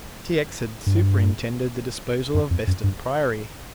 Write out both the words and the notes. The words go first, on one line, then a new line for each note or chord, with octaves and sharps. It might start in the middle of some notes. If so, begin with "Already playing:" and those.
T. X. had superintended the disposal of Beston Priory.
G2
F#2
F2
F#2
G2